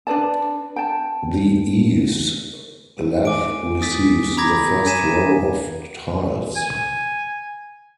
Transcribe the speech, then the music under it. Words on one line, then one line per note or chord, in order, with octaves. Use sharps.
The eaves lath receives the first row of tiles.
D4 B4 D5 A5
G5 A5
G#5 D6 D7
D#6 A6 B6
A#5 B5 D6 G#6 A#6
G#5 G#6 B6 D#7 E7
G#5